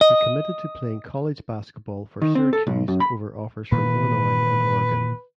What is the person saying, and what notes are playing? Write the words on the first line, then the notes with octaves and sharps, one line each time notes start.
He committed to playing college basketball for Syracuse over offers from Illinois and Oregon.
D#5
D#3
C4
A4
B1
F#2
B5
A#2 D#3 E3 B4